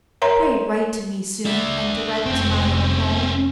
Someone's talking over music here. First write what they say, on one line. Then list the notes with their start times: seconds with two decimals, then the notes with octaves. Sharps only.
Pray write to me soon, and direct to my own home.
0.22 A#4 C#5 E5 A#5 C6
1.45 D4 E5
2.25 F1 G#3 A3 C4 C#4